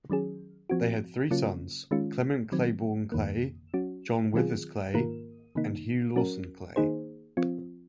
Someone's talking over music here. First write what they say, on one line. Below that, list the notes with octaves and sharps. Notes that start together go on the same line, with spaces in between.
They had three sons: Clement Claiborne Clay, John Withers Clay, and Hugh Lawson Clay.
D#3 F#3 C#4 G#4
F3 C4 F#4
C#3 F#3 A#3 C#4 F4
D#3 G#3 C#4 F4
D#3 F#3 C4
F2 D#3 A#3
F#3 C#4 F#4
D#3 F#3 C4 F4 G#4
G#2 D#3 A#3 F4 A#4
C3 D#3 A#3 D#4
F#3 C#4 F#4 A#4
D#3 A#3 D#4 G#4 C5
F3 C4 F4